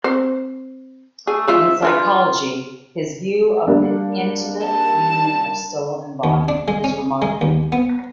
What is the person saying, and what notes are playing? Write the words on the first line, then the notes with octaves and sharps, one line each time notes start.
In psychology, his view of the intimate union of soul and body is remarkable.
C4 C5
A3 G#4
F3 G#3 F4 E5
D4 F4 A#4 B4
G3 A#3 D4
A5
D#2
D4
G#3
C#4
G#3
D#2
B3